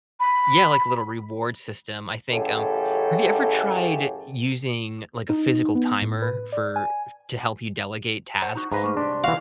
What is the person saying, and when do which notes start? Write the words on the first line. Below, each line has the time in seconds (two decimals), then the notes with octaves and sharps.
Yeah, like a little reward system, I think, um have you ever tried using, like, a physical timer for to help you delegate tasks?
0.20 B5
2.31 A1 F#2 C#3 G4 A4
5.29 D#4
5.75 B3
6.02 A2
6.22 B4
6.52 D5
6.76 G#5
8.42 C5 F#5
8.55 D#4 F#4
8.72 G#2 B4 D#5 F5 A#5
8.84 A3 A#3
8.97 C2 D4 G4 C5
9.24 E3 F#4 F5